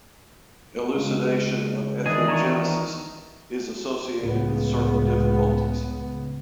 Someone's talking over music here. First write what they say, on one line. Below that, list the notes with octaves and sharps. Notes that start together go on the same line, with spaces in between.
Elucidation of ethnogenesis is associated with certain difficulties.
C#3 G#3
D#3 E3 B3 D4 G#4 D#5
D#3 A#5 C#6
C#2 A2 C#3 B3